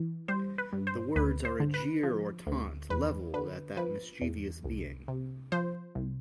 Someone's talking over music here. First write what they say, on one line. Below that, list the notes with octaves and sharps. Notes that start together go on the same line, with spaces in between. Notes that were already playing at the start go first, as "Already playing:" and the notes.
The words are a jeer or taunt leveled at that mischievous being.
Already playing: E3
G3 C5
B4
G2
C5
D2 B4
C5
D3
B4
F3
D2
E2 B4
D3 B4
F3 B4
E2
C2
C3
F3 C5
C2